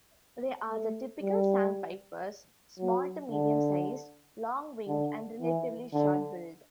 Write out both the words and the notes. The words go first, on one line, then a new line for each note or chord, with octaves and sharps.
They are the typical "sandpipers", small to medium-sized, long-winged and relatively short-billed.
A3
G3
F#3
D3
D3
E3
D3